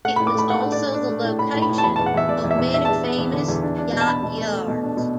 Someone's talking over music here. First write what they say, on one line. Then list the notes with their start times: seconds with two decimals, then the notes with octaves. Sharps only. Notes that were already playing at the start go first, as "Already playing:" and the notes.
It was also the location of many famous yacht yards.
0.05 A3 F#5
0.16 B5
0.20 A2
0.27 D6
0.35 A3 B5
0.50 A3 F#5
0.60 F#5
0.64 D4
0.72 D5
0.79 D4
0.94 D4
1.09 A3
1.24 A2
1.39 A3 B5
1.54 A2
1.62 B5
1.69 A2
1.78 A5
1.84 E2 B5
1.96 A5
1.99 E2
2.06 F#5
2.14 E2 E5
2.28 E2 D5
2.44 E2
2.51 E5
2.58 E2
2.73 D4 E5
2.85 A5
2.88 E2
3.04 B3
3.18 E2
3.33 D3
3.48 E2
3.63 D4
3.78 D4
3.93 B2
4.00 A5
4.08 D4 B5
4.23 B2
4.38 A3
4.53 A3
4.68 B2
4.83 D4
4.97 B2